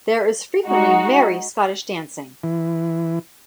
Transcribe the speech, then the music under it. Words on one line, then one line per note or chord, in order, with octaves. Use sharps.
There is frequently merry Scottish dancing.
G#3 D#4 F#4
E3